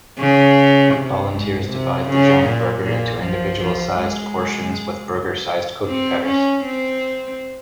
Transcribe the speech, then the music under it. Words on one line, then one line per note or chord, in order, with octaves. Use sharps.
Volunteers divide the giant burger into individual sized portions with burger-sized cookie cutters.
C#3
C3
G#2
C3
C#3
A#2
A#2
F3
F3
G#3
C4
C#4
C4